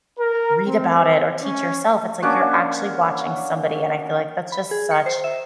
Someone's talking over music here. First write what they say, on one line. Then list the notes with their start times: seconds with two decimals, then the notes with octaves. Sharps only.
read about it or teach yourself, it's, like, you're actually watching somebody, and I feel like that's just such
0.19 A#4
0.66 C4
1.44 C#4
2.22 A#3 C#4 D4 F#4
4.52 B5
4.71 G#4
4.91 C#7
5.06 C5
5.24 E5